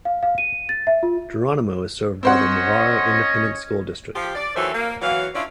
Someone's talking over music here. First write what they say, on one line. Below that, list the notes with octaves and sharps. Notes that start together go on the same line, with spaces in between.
Geronimo is served by the Navarro Independent School District.
F5
F5
D#7
A6
E5
F4
C4 C#4 C5 C#5 D#5 F#5
F3 G4
D5
D#2 E3 F#3 A4 C5 E5
A#3
E3 F#3 F5
C#4 D4 E4 F4 C#5 D5